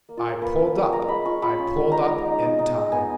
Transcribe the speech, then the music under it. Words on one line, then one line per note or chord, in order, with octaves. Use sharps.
I pulled up; I pulled up in time.
A#3
F4
A#3
A#3 B4
C#4
A#3
G#3 A#5
G#3 B5
F4 C#6
F4 B5
C#4
G#3
D#4 A#5
G#3
D#4
D#4
D#4
G#3
B3 G#5